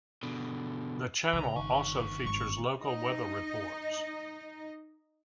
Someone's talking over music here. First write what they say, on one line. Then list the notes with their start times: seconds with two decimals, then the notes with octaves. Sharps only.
The channel also features local weather reports.
0.23 B2 D3
1.33 C2 C#3 A#5
1.56 G1 C2 D#3 C#4
2.26 G#1 C#6
2.81 D#4 D#5